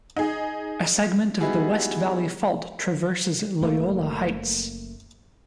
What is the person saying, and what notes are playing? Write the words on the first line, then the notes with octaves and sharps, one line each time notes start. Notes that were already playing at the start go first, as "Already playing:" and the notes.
A segment of the West Valley Fault traverses Loyola Heights.
D#4 G#4
G3 B3 D#4 E4 F#4 G#4
F#1 A3 A#3